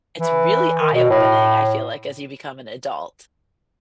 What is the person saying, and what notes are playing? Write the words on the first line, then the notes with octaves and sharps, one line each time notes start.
it's really eye-opening, I feel like, as you become an adult
E3
D#3
B2
A2